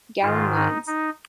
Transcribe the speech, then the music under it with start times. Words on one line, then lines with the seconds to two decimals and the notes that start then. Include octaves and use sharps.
Gallen lines.
0.22 G#2 D#3 F4
0.55 D#4
0.87 D#4